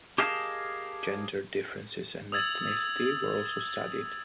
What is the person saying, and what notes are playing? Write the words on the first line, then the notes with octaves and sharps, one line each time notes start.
Gender differences and ethnicity were also studied.
G4 G#4 A#4 D#5 F5 A5
D#6 E6 G#6 A6 F#7